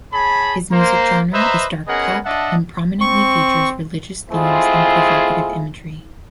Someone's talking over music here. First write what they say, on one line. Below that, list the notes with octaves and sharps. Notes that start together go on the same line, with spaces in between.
His music genre is dark pop and prominently features religious themes and provocative imagery.
G#4 C#5 A5 B5
A#3 C5 A#5
B4 C5 D#5 E5 A#5
B3 C#4 G#4 A#4 D#5 F#5
D4 D#5 E5 F#5 A5
C4 C#6
G#3 A3 C4 E4 F4 G#4